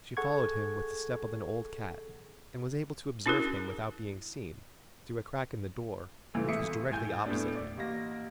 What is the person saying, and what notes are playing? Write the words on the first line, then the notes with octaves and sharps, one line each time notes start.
She followed him with the step of an old cat, and was able to observe him without being seen, through a crack in the door, which was directly opposite him.
G#4 A4 F#5 C#6 G#6
C#4 D4 E4 F#4 G#4 A#4
C#2 E3 A3
G#1 E2 A3 E5 D#6 C#7
A2 G#5 G6
A2 A3 B3 D4
D5
A1 A#3 A#6